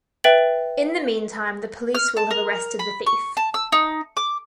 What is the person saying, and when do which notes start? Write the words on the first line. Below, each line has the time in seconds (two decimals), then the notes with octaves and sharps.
In the meantime, the police will have arrested the thief.
0.24 B4 E5 G5 A6 F#7
1.95 F6
2.17 A5
2.31 A#4
2.79 B5
3.06 C#6
3.37 A5
3.54 E6
3.72 D#4
4.17 D6